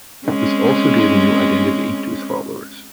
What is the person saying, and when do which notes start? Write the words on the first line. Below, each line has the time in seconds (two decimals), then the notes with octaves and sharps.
This also gave a new identity to his followers.
0.26 G#3 C4 C#4